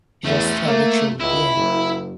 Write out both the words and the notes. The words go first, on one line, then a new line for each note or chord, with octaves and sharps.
You just tell the truth, yeah.
E2 A3 C#4
A3 A#3
C#2 E4
F#1